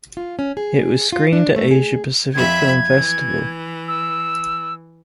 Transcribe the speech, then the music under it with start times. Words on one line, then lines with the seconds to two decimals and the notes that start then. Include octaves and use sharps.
It was screened at Asia Pacific Film Festival.
0.17 F4
0.39 C#4
0.57 G#4
1.12 F4
1.33 D4
1.56 A3
1.71 G#4
2.34 F2 E5 B5 G#6
2.92 E3
3.88 E6